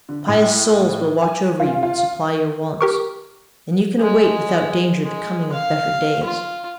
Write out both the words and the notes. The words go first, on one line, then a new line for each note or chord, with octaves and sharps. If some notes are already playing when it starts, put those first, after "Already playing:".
Pious souls will watch over you and supply your wants; and you can await without danger the coming of better days.
D3
A2
G#5
F4
F4
G4 A#4 C#6
G#3
G#3
F5
F4